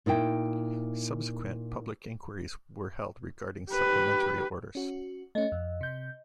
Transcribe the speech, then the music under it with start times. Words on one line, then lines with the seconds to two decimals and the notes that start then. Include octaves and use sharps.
Subsequent public inquiries were held regarding Supplementary Orders.
0.06 A#2 D#4 E4 G5
3.71 G4 B4
4.75 C#4 F#4
5.35 A3 C#4 D#5
5.52 F2
5.81 C3 G6